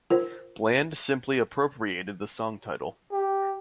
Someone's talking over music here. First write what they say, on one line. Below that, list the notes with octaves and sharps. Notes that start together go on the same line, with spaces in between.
Bland simply appropriated the song title.
F4 A#4 C5
G4